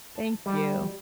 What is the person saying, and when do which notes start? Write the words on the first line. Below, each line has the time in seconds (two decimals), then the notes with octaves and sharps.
Thank you.
0.15 A5
0.46 G3